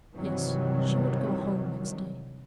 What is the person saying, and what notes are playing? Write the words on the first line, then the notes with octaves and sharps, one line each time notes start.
Yes, she would go home next day.
G2 C3 D#3 E3 F#3 G3